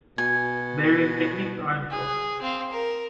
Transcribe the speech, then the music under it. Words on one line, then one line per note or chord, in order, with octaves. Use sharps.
Various techniques are employed.
B2 G#5
G#4
C4 F5
A#4